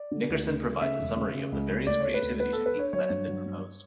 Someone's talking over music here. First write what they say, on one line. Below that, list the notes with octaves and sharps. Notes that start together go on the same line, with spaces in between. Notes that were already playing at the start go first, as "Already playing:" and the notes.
Nickerson provides a summary of the various creativity techniques that have been proposed.
Already playing: D5
D3
D2
C#3
A3
C#3 E5
E1
C#3
C#3
C#2
C#3
D2 D5
A3 C#5
B4
D2
B3 B4
B3 A4
B4
D4 C#5
F#3 C#5
G2
F#3
G2